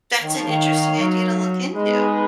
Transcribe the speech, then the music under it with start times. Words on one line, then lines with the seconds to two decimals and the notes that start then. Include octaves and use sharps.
That's an interesting idea to look into.
0.22 D#3 D#4 A#4 C#5 F5
0.35 F3
0.47 D#3
0.98 F#3
1.73 G#3 B3 D#4 G#4 B4 D#5